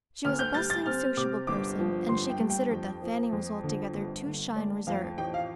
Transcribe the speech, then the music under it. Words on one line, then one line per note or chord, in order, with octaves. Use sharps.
She was a bustling, sociable person, and she considered that Fanny was altogether too shy and reserved.
D2 F6
G6
G3 A6
A6
C4 F6
C3 D6
G1 D6
F3
G1 C6
G5
G2
G5
F2
F3
F2
D3
G1
D3
A3 D5
F2 F5
A1 G5
F5